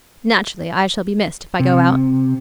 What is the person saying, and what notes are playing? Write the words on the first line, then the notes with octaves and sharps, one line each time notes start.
Naturally I shall be missed, if I go out.
C3